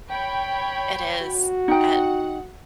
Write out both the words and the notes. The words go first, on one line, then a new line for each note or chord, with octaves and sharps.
it is, and
C#5 G5 B5
F#4
D#4 F#5 G5